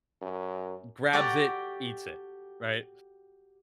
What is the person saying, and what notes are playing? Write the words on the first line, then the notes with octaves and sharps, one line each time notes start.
grabs it, eats it, right
F#2
F#4 G4 A4 D5 G5 A#5